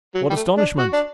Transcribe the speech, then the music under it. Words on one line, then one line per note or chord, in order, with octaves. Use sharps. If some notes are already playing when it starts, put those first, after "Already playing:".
What astonishment!
F#3
G3
A3
D4
F#4
D4